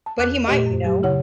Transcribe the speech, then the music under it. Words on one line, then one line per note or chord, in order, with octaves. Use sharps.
But he might, you know.
A5
E2 D6 F#6
A#2 A3 G4 D#5
F#2
F#3 G4
C#3 E4 C#5 F#5